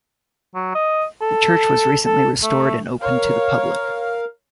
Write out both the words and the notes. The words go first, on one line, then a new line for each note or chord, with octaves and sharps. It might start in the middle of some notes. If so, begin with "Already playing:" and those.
The church was recently restored and opened to the public.
F#3
D#5
A4
A4
A3
A#4 C#5 F5